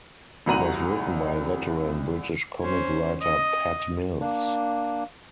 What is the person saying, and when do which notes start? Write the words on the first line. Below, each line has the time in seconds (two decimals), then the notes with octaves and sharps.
It was written by veteran British comic writer Pat Mills.
0.46 F1 C2 F#4 A#5 D#7 F#7
2.61 C#4 C5
3.22 D#5
4.21 A#3 D4